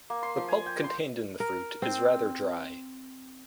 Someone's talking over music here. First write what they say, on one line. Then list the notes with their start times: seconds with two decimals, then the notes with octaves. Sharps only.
The pulp contained in the fruit is rather dry.
0.10 A#3
0.23 C6
0.36 F3
0.48 G#5
0.66 G5
0.84 C6
1.40 A#4
1.82 C4